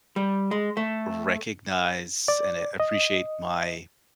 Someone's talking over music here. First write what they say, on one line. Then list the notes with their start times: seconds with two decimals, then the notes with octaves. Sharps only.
recognize and a appreciate my
0.16 G3
0.51 G#3
0.77 A3
2.28 D5
2.80 D#5